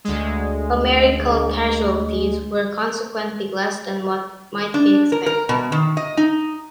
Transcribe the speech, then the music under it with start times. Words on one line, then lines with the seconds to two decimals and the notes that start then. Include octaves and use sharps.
Americal casualties were consequently less than what might be expected.
0.05 D2 G#3
4.74 D4
5.12 A#4
5.26 A#4
5.49 B2
5.72 D#3
5.97 D#5
6.17 D#4